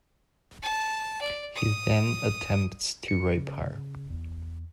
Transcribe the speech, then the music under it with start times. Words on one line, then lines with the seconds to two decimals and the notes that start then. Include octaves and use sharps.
He then attempts to rape her.
0.62 A5
1.21 D5
1.56 D#6
3.08 C#7
3.36 C#3
4.10 E2